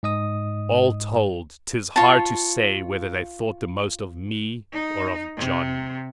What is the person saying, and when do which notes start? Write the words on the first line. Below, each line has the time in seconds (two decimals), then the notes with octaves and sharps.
All told, 'tis hard to say whether they thought the most of me or of Jon.
0.03 G#2 D#5 D#6
1.96 F4 C#5 A5
4.73 D#4
5.37 C3